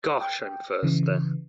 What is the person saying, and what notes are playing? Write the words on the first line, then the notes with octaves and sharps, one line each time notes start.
Gosh, I'm thirsty.
G5
C#3 E3